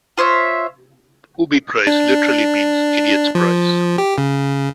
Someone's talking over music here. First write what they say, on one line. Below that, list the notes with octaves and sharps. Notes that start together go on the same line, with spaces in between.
Booby prize literally means "idiot's prize".
F4 C5 C#5 E5
D4
F3
G4
C#3